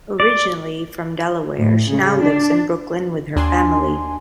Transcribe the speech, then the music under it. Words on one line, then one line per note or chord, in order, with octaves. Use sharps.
Originally from Delaware, she now lives in Brooklyn with her family.
D5
A2
C#3
D4
D#2 D4 G#5 C6